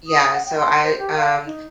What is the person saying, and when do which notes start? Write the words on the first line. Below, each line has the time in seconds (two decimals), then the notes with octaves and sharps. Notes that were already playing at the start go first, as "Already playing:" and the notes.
yeah, so I, um,
0.07 D#6
0.32 F#5
0.46 G5
0.57 C6
0.83 C5
0.98 G4
1.16 F5
1.45 D#4